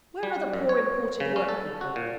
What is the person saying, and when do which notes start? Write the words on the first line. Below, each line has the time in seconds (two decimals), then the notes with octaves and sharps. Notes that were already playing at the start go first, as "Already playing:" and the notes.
'Where are the poor imported work-people?
0.23 G3
0.53 F#2
0.69 C#5
1.20 C#3
1.36 C#4
1.49 A4
1.81 F#4
1.96 A#2